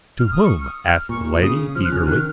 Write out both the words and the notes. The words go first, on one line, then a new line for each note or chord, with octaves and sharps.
"To whom?" asked the lady, eagerly.
F6
D#6
C#6
F6
D#6
F6
A#2 C#6
C#3 D#6
F3 F6
F#6
C#3 F6
D#3 F#6
F6